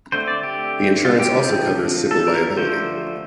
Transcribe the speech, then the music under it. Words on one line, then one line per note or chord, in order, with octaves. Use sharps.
The insurance also covers civil liability.
D3 A3 C4 C5
D5
G4
F4
G4
D3 F3 C4
A4
A#4
D3 F3 A3 C5